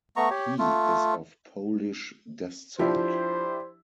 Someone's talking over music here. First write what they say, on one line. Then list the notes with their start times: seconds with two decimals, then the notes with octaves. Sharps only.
He is of Polish descent.
0.16 A3 B3 A#5 C#6
0.31 G4 C#5
0.59 A3 F4
2.79 F3 D4 E4 G4 C5